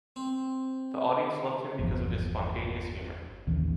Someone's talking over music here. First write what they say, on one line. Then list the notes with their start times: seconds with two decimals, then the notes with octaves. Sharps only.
The audience loved him because of his spontaneous humor.
0.16 C4
1.79 G1 E2 F3
3.47 A1 D#2 D#3 E3